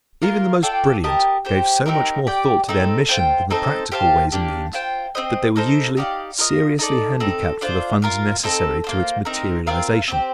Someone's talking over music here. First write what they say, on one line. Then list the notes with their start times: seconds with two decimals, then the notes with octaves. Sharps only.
Even the most brilliant gave so much more thought to their mission than the practical ways and means that they were usually seriously handicapped for the funds necessary to its materialization.
0.22 A#3 F4 A#4
0.63 F4 A4 D5 G5
1.04 G4 A#4 D#5 A5
1.45 G4 C5 G5
1.86 C4 D#4 G4 A#4
2.27 G4 D5 G5
2.69 C4 D#4 A4
3.09 F4 C5 G5
3.50 C4 D#4 A4 C5
3.92 G4 C5 F5 A5
4.32 A#3 D4 G4
4.73 F4 C5 G5
5.15 C4 F4 C5 D#5
5.56 A#3 D#4 A4 C5
5.97 D#4 G4 D5 F5
6.38 F4 A#4 D#5
6.79 D#4 A4 D5
7.20 C4 D#4 A4
7.61 D4 F4 C5
8.02 F4 A#4 F5
8.43 C4 D#4 A4
8.84 A#3 F4 C5
9.25 C4 D#4 A#4
9.67 C4 F4 A#4 F5
10.08 C4 G4 C5